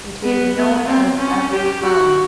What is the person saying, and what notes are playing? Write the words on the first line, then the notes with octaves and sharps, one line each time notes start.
It is now known as Abbey Farm.
B3
B3
C4
C#4
G4
F#4